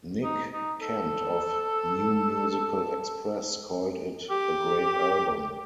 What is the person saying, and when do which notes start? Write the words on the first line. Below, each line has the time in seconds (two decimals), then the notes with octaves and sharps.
Nick Kent of "New Musical Express" called it "a great album".
0.23 D#4
0.52 D#4
0.82 A4
4.30 G4